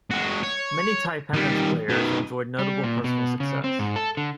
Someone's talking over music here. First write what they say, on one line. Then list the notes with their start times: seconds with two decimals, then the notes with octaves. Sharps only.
Many Taipans players enjoyed notable personal success.
0.11 G#3 F#4
0.43 C#5
1.34 D#3 G3
1.90 B2 D#3
2.59 G3
2.84 A#2
3.04 B2
3.40 C#3
3.64 C4
3.79 G#2
3.96 A4
4.17 D3